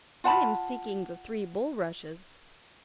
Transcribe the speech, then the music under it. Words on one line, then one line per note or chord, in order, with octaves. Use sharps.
'I am seeking the three bulrushes.
F4 F#5 A5 B5